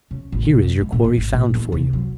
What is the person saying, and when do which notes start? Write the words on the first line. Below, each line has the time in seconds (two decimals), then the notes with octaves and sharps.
Here is your quarry found for you.
0.11 C#3
0.32 A1
0.45 C3
0.63 F#2
0.80 G#3
0.92 A#2
1.04 D#3
1.17 G#1
1.33 A#2
1.55 E3
1.72 C2
1.93 F#3